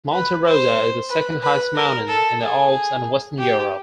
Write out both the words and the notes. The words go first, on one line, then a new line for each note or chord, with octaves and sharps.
Monte Rosa is the second highest mountain in the Alps and western Europe.
B4
C5
B4
B4
A#4
A4
G#4
G4